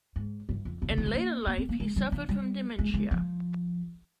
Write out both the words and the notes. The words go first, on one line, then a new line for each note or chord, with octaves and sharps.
In later life he suffered from dementia.
G#2
G2
F2
G2
C#3
D#3
G#3
A#3
A#3
C4
A#3
G#3
G3
F3
G3
G#3
G#3
F3